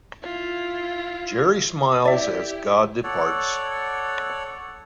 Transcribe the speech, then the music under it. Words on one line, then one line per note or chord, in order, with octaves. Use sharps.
Jerry smiles as God departs.
E4 F4
E4 G4 D5 E5
A4 C#5 D5 F#5